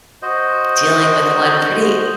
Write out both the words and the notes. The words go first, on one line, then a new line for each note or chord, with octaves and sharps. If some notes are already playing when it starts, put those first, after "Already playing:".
dealing with one pretty
F#4 C5 D#5